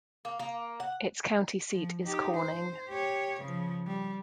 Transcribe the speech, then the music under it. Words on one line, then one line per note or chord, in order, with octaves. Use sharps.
Its county seat is Corning.
A#3
A#3
F#5
F3
D#4 G4
C5
G4 C#5
C#3 F3
G3